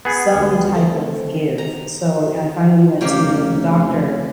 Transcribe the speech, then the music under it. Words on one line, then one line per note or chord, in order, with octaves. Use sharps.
some type of give. So, you know, I finally went to the doctor,
B3 G#4
D2 D3
A3 C4 A4
A#5
F1 C#3 A#3 G4